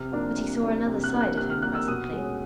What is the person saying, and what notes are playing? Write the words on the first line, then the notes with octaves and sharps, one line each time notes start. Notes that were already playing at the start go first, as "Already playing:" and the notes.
But he saw another side of him presently.
Already playing: C3 F6
F3 A#3 D4
C3
F3 A#3 D4
C3
F#6
F3 A#3 D4
F#6
C3 F#6
F6
F3 A#3 D4 F#6
E6
B2 D#6
G#3 C#4